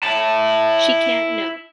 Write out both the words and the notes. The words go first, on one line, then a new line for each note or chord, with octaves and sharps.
She can't know.
E4 A5